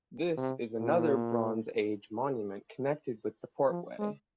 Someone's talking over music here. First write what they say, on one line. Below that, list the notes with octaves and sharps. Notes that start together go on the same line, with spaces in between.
This is another Bronze Age monument connected with the Portway.
C3
A#2
F3
G#3